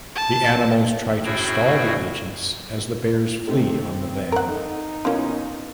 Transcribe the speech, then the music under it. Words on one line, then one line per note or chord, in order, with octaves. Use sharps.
The animals try to stall the agents as the Bears flee on the van.
A5
F#2 A2 E4 F#4 G#4 G5
C3 D#3 A3 C4
A#4 F#5
D#4 A4
B2 E3 A#3 C#4 F4